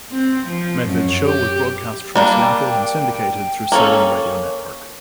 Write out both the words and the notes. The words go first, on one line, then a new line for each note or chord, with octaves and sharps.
Medved's show was broadcast from Seattle and syndicated through Salem Radio Network.
C4
F3
F#2
G4
G3 A#3 D4 G5
A#3 C#4 A4